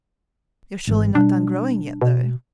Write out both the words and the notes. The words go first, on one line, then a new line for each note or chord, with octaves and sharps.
You're surely not done growing yet, though!
G#1 G#2 E3
B2 G3 D4
B2